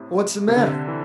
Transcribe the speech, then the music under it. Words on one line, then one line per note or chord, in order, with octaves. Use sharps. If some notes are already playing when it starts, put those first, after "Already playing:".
"What's the matter?"
Already playing: A2 C3
C3
D3
C3
E3